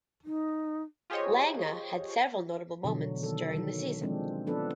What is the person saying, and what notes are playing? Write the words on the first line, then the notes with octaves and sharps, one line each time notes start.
Lange had several notable moments during the season.
D#4
F4 G4 G#4 C5 C#5 D#5
B2 D3 E3 F#3
D#3 A4
D#3 F#3
F3 G#3 C4 D4
F3 B3 D4 A4 B4